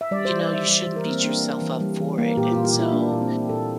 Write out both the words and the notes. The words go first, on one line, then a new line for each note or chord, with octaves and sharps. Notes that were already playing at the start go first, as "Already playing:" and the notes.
you know, you shouldn't beat yourself up for it, and so,
E5
G3 D5
C5
E3
D5
G3
E5
G3 D5
C5
E3
A#4
A#3 C4
A#3 D4
A#3
E3
G3
E3
A#3
A#2 G4
F4
A#2
G4
A#2
E4
A#3 D4
A#2
C4
A#3
A#2 A4